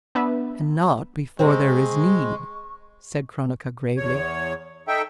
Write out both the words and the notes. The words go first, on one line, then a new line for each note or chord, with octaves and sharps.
"And not before there is need," said Cronaca, gravely.
B3 D4 B4 E5
C3 G#3 C4 C#6
E2 C#5
D#4 A4 E5 G5